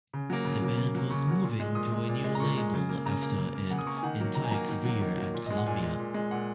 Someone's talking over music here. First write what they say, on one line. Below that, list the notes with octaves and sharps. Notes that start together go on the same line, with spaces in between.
The band was moving to a new label after an entire career at Columbia.
C#3
F#3 A#3
C#3
F#3 A#3
C#3
F#3 A#3
C#3 C#6
F#3 A#3
A#2
G#3
A#2 D#6
G#3
A#2
G#3
A#5
A#2 C#6
G#3
C#3
A#3
C#3 A#5
A#3
C#3
A#3
C#3 F#5
D#6
A#3 C#6
G#5
D#3 F#5
F#3 A#3
D#3 A#5
G#5
F#3 A#3 A#5
D#3
F#3 A#3
D#3
F#3 A#3
A#2
G#3 D#5
F#5
A#2 G#5
G#3
A#2
G#3
A#2 F#5